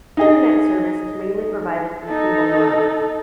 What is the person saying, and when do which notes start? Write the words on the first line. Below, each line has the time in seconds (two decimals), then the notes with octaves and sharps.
Thrunet service is mainly provided through cable modem.
0.17 D#4 G#4 D#5
2.05 D#4 A4